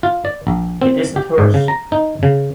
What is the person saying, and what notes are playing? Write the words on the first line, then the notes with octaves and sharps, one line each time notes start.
It isn’t hers!
F4
D5
A#1
C4
G4
G#2
C#3
A#5
D#4
C#3